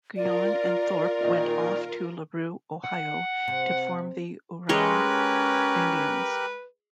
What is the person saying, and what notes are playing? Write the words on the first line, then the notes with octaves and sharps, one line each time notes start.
Guyon and Thorpe went off to LaRue, Ohio to form the Oorang Indians.
F4 A#4 D5
A#2 D#3
F#5
C3
G#3 C#4 G4 A#4 B4 C#5 D#5 F#6